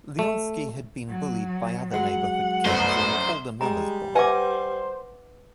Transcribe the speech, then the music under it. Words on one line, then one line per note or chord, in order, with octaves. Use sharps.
Leonski had been bullied by other neighborhood kids and called a mama's boy.
A3
F#3
F#3 G#3 F#5
G1 C2 F#2 A3 B3 C5
G3 G#3 A#5
B4 C5 E5 F#5 G#5 D6